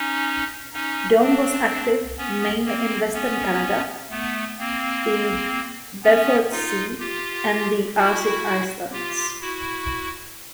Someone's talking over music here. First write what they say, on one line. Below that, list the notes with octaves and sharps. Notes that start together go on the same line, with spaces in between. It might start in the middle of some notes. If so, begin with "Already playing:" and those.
Dome was active mainly in Western Canada, the Beaufort Sea and the Arctic islands.
Already playing: C#4 D#4
C#4 D#4
C4 D4
B3 C#4
A#3 C4
B3 C#4
A3 B3
A#3 C4
B3 C#4
D#4 F4
F4 G4
E4 F#4
F4 G4
E4 F#4